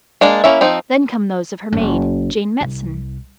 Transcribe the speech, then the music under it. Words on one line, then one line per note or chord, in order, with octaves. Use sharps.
Then come those of her maid, Jane Metson.
G#3 A#3 D4
A#3 C#4 E4 E5
F3 C4 D#4
F#1
C2